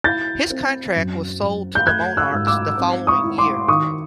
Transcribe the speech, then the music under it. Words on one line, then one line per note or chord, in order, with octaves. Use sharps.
His contract was sold to the Monarchs the following year.
E4 G6 A6
C4
F#2
F#2
G6
A3 F#6 G#6
E6 F#6
G#2
D6 E6
C4
C#6 D#6
E4
C6 D6
D#3 C#6 D#6